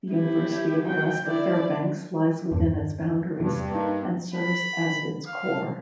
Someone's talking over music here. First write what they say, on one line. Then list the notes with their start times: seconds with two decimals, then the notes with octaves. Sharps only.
The University of Alaska Fairbanks lies within its boundaries and serves as its core.
0.12 E4 G4
0.85 F#3 G5
1.25 E4 D5
2.51 E2 G2
3.40 E2 G2 C3
3.71 A#3 D#4
4.35 B5
5.27 F5